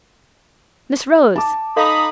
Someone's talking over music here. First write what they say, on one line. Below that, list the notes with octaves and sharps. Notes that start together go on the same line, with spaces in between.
Miss Rose!
A5 D6
D#4 A4 D#5 F5 B5 D#6